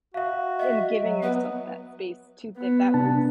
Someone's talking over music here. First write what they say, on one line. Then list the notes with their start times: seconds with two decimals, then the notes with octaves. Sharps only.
And giving yourself that space to think that was
0.14 F#4 E5 F5
0.59 D#5 E5
1.02 F#3
1.23 B3 B4
2.57 B3
2.94 C3 D4 A5